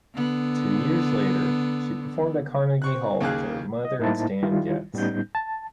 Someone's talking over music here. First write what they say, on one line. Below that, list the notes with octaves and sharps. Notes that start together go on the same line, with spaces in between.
Two years later, she performed at Carnegie Hall with her mother and Stan Getz.
D3 B3
C4 C#6 F#6
D#2 C#3 A#3 G#4 F5 F#6
D#5
A2 A#3 D#4 E4 C5 A5
D#3 G3 E4 F4
A2 G3 B3 C#4 D#4 G6
A5